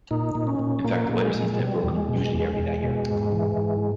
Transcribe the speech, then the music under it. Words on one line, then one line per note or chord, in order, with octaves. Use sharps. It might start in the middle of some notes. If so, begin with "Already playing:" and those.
In fact the weather seems to have broken unusually early that year.
A#2 D#4
A#2
C#4
A#2
A#2 A#3
A#2 A#3
G#3
A#2
B2 G3
E2
G#3
B2
E2
E2
B2
G#2
E3
G#2